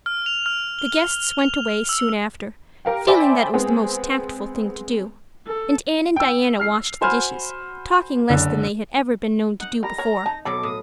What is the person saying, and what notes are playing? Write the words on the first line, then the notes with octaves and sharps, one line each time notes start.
The guests went away soon after, feeling that it was the most tactful thing to do, and Anne and Diana washed the dishes, talking less than they had ever been known to do before.
F6
F7
F6
G7
F7
E6
G4 A#4 F5 G5
C5 D5 E5 G5 G#5 B5
G#3 B3 C4 G#4
A4
G5 E6
F6 C7
F#4 C5 G#5 B5 F6
F#1 D3
D#4 F#5
G3 A#4 A#5 A#6
A#4 C#5 A#5
D#4 A5
B2 F#3 A4 B5 D6
A2 D#6